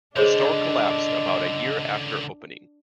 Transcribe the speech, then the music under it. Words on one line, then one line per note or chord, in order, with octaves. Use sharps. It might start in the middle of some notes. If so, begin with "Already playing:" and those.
The store collapsed about a year after opening.
C#2 D3 D4 G#4 C5 C#5 D#5